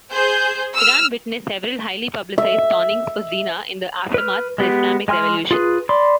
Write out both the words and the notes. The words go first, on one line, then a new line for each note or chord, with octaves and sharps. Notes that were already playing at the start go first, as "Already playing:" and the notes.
Iran witnessed several highly publicized stonings for zina in the aftermath the Islamic revolution.
G#4 C5 G6
E6 F6
E5
B4 F6
G#3 B3 G4
G#3 G#5 C6 F6
F4 G#4 B4
D5 B5 C6